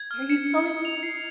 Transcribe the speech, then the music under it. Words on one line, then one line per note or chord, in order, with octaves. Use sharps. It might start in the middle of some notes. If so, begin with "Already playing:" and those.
why are you calling me?"
Already playing: G#6
F6
C#7
C#7
C#7
F7
C7